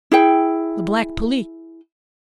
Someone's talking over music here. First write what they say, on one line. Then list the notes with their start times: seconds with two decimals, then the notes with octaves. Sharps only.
The Black Police.
0.12 E4 G#4 G5